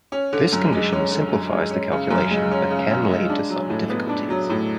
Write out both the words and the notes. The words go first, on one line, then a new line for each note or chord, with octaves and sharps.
This condition simplifies the calculation but can lead to some difficulties.
C#4
D3
F#2
G#3
C#4
D3
F#2
G#3
C#4
C#3
F#2
G#3
C#4
C#3
F#2
G#3
D4
F#3
A2
B3
D4
F#3
A2